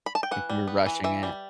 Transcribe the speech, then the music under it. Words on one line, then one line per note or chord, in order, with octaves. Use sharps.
Like, we were rushing it.
B5
A5
G5
E3 F#5
G3
B3
E3
E3 E5
G3